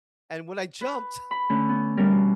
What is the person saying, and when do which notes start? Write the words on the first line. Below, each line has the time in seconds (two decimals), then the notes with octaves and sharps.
and when I jumped,
0.81 B4
1.31 B5
1.49 D3 A3 C#4 B4
1.69 B3
1.97 E3 G3 B3 C#4 A#4
2.11 B2